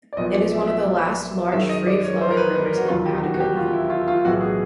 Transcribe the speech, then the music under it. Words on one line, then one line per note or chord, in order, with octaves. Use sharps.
It is one of the last large free-flowing rivers in Patagonia.
D5
A#1 A#2 F#3 B3 D#5
D5
E5
E5
F#2 D#3 G#3 E5
D#5
D5
C#5
C5
A#4
B4
B4
A#4
F#4
E1 D#2 C#3 F#3 A#3 F4
G4
F#4
F#4
G4
F4
E4
E4
F4
F4
B1 A2 E3 G#3 B3 F#4
G#4